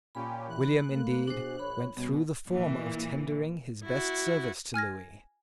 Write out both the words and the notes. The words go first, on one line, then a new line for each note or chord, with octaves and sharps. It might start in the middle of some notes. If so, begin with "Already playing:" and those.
William, indeed, went through the form of tendering his best services to Lewis.
A#2 C#4 G4 B5
E3 F#6
A3 A#3
B2 D4 F#4 G#4 C5
A#1 C#5 B5
B2 G3 B3 C#4
A#2 E3
E4 F#4
G#5 F6 G#6 A#6